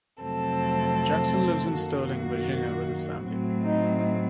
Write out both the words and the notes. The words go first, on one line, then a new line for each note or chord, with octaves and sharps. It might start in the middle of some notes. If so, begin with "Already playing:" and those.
Jackson lives in Sterling Virginia with his family.
F2 C3 F#3 A3 C4 A4
F#2 D#3 A#3 F#4
A2 F#3 A3 C4
D#4